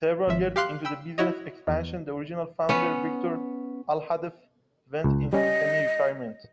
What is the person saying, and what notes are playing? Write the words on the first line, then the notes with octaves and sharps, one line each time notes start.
Several years into the business expansion, the original founder, Victor Alhadeff, went into semi-retirement.
G#1 F3 E5
G4 F5 C6 F#6
G5 B5 E6
E4 F#4 C#5 D#5
E2
B3 C#4
C#2
G3 C#4 D#5